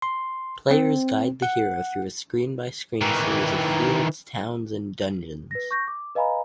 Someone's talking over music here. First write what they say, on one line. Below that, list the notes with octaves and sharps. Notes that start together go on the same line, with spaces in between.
Players guide the hero through a screen-by-screen series of fields, towns, and dungeons.
C6
C4
F#5
D#3 E3
B4 A#6
C#6 G6 A#6
D6
B4 D#5 F5 G#5 A#5 B5